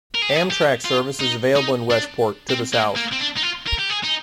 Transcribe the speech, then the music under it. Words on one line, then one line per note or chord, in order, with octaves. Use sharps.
Amtrak service is available in Westport, to the south.
A#4
G#4
G4
G#4
G4
F4
D#4
D#4
D4
C4
A#3
A#3
C4
D4
D#4
F4
A#4
G4
G#4
D#4